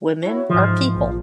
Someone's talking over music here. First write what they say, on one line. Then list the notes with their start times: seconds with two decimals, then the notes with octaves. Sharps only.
Women are people.
0.23 E4 F#4 C#5
0.50 G#2 E3 F3
0.95 A#1